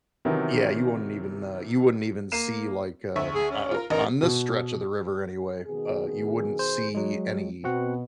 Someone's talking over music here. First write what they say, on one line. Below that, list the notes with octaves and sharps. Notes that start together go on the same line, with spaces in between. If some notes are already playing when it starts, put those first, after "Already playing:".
Yeah, you wouldn't even, uh you wouldn't even see, like, uh o o on this stretch of the river anyway, uh, you wouldn't see any
C3 D#3 E3 F#3 B3
A#3 C7 D#7 E7
D2 E5 C#6
G#4
C#4
F4 A#4
A1 D#4 A#4 D#5
B2
B2 D#3 G#4
C5
F#3 G#3
B2 C4 F#4 F#5